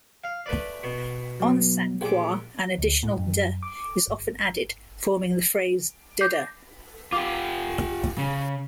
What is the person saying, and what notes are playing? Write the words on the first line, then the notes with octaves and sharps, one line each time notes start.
On Saint Croix, an additional "deh" is often added, forming the phrase "deh-deh".
F5
A3 B4 D5
B2
F#3 B3
A#1 G4 G#4 D6
D2
A2
F#2
D6
G1
D6 G6 C7
F4 G4 D6
C#3